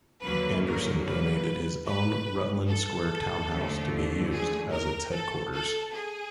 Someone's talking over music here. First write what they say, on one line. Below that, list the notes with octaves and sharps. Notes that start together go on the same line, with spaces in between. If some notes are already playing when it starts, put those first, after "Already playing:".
Anderson donated his own Rutland Square townhouse to be used as its headquarters.
D#2 D3 F#3 A#3 B4
A#4
B4
B4
A4
D#2 D3 F3 A3
G#4
A#4
A4
A4
G#4